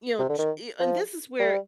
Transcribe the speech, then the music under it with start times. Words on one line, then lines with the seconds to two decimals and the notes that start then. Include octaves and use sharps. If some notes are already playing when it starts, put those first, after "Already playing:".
you know, t and this is where,
0.19 C3
0.29 D3
0.39 D#3
0.80 F3
1.39 G3